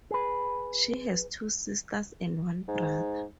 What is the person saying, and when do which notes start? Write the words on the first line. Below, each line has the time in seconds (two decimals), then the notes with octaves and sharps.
She has two sisters and one brother.
0.11 G#4 B4
2.68 G#2